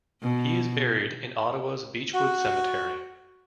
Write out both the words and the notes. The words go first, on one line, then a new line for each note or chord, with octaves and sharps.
He is buried in Ottawa's Beechwood Cemetery.
B2
F#4